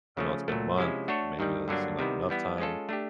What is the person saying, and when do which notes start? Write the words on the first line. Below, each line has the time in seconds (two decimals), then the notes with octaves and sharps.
I know it's been a month. Maybe it doesn't seem like enough time.
0.17 C#3 F3 A3 C#4
0.48 A#2 F#3 A3
0.78 C3 F3 G#3 C#4 E4
1.08 A3 D4 F#4 A4 C#5
1.39 G2 D#3 G3
1.68 G2 D3 F#3 A#3 D4
1.99 C3 D#3 G3 B3 E4
2.29 E3 G3 B3 E4
2.58 G#3 C#4 F4 A4
2.89 A3 D4 G4